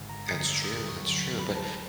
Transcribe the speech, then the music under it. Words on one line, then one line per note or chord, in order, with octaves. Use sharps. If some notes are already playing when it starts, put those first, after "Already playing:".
That’s true, that's true, but
Already playing: G#1 D3
A#5
G2 D3 D#6
E6
D2 D#6
C#6
D3 F#3
D2 B5
A#5
A5
A#5